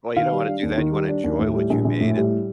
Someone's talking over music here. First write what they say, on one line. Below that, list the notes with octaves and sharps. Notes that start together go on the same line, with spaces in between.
Well, you don't wanna do that, you wanna enjoy what you made, and,
D#3 F5
G3
D4
D#2
D#3
G3
D4
D#2
A2
G3
A#1
A#1
A2
G3